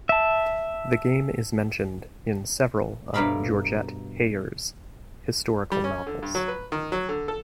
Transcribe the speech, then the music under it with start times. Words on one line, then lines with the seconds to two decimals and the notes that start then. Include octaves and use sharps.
The game is mentioned in several of Georgette Heyer's historical novels.
0.09 E5 A5
3.14 G2 B2 A3 A#4 F5 B5
5.72 G3
5.84 C#4
6.07 D3
6.22 G2
6.35 F#3
6.48 B4
6.72 D#3
6.92 F#3
7.09 D3
7.28 A4